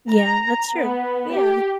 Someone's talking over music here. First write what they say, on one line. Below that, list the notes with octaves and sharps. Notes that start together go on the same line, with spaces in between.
Yeah, that's true, yeah.
A#5
B3
G4